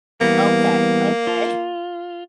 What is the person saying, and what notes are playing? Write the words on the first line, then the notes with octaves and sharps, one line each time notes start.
Okay, okay.
E3 G3 A#3 B3
F4